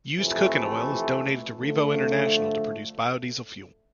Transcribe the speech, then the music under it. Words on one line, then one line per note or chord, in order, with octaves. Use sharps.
Used cooking oil is donated to Revo International to produce biodiesel fuel.
F2 C3 E3 A3
D3 F3 A3